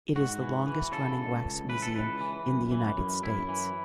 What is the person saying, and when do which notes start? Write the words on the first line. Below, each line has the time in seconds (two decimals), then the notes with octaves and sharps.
It is the longest-running wax museum in the United States.
0.16 G#2 F#4
0.41 E3
0.67 E3
0.92 C#3 A4
1.18 C#2
1.44 C#2
1.69 E3 B4
1.82 A4
1.95 C#2 B4
2.21 E3
2.46 F#2
2.71 E3
2.97 F#2
3.23 F#2 E4
3.49 E3